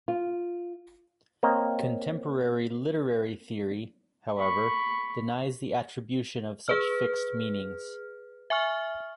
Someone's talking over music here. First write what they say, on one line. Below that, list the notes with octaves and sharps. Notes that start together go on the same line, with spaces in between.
Contemporary literary theory, however, denies the attribution of such fixed meanings.
F4
A#3 C4 C#5 D#5 A#5
B5 C#6
G#4 B4 F6
E5 G#5 C#6 F6